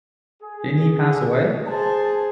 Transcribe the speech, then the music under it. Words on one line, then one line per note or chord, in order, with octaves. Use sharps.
Didn't he pass away?
G#4
G#4 C5 A5